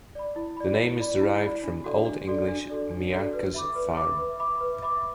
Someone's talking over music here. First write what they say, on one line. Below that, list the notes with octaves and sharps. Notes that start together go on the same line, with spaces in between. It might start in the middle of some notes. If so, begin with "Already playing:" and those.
The name is derived from Old English "Mearca's Farm".
D5 B5
E4
D5 B5
E4
D5 B5
E4
D5 B5
D4
F#4 A4 D5
D4
F#4 A4 D5
D4
F#4 A4 D5
D4
F#4 A4 D5
B4
E5 B5 D6
B4
E5 B5 D6
B4
E5 B5 D6
B4
E5 B5 D6